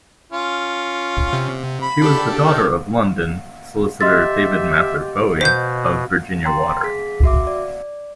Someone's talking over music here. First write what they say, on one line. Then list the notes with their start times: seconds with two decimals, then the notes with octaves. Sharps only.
She was the daughter of London solicitor David Mather Bowie of Virginia Water.
0.32 C#4 F4
1.33 C3
1.82 B5
2.02 D4 G4 A4
2.47 D#3
4.01 G4 D#5 E5 C6 A6
5.41 B2 C5 G6
6.45 G5 A#5 C6 A6
6.83 G#4 B6
7.23 F#4 E5 D6
7.47 D5